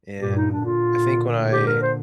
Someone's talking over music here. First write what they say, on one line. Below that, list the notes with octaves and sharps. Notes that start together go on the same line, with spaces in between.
And, I think when I
G2 A#2 G4
D#4
D4
A#2 D3 F4
G4
A#4
C5